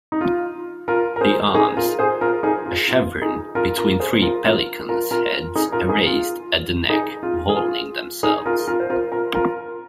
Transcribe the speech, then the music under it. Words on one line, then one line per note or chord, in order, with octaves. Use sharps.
The arms: A chevron between three pelicans' heads erased at the neck vulning themselves.
D#4
F4
F4 A#4
A#4
G#4 C5
D#4 G#4
F4 A#4
G#4 C5
F4 A#4
D#4 G#4
F4
F4
D#4 G#4
F4 A#4
F4 A#4
G#4 C5
F4 A#4
F4 A#4
F4 A#4
F4 A#4
D#4 G#4
F4 A#4
D#4 G#4
F4
D#4 G#4
F4
G#4
F4
D#4 G#4
F4 A#4
F4 A#4
C5
F4 A#4
F4 A#4
F4 A#4